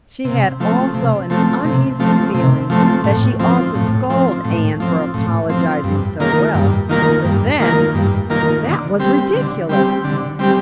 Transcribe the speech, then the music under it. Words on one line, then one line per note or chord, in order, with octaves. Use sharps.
She had also an uneasy feeling that she ought to scold Anne for apologizing so well; but then, that was ridiculous!
C3
F3 A3 C4
C3
F3 A3 C4
C3
F3 A3 C4
C3
F3 A3 C4
A2
F3 C4
A2
F3 C4
A2
F3 C4
A2
F3 C4
G2
D#3 A#3 F4 A#4
G2
D#3 A#3 F4 A#4
G2
D#3 A#3 F4 A#4
G2
D#3 A#3 F4 A#4
D3
G3 C4 G4
D3
G3 C4 G4
D3
G3 C4 G4